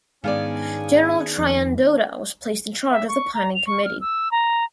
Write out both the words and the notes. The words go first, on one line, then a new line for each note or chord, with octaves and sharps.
General Traian Doda was placed in charge of the planning committee.
G#2 D#3 B3 C#4 D4 G#4 D5 F5
F2
E5
C#6
A#5
F7
C#6
F6
E6
A#5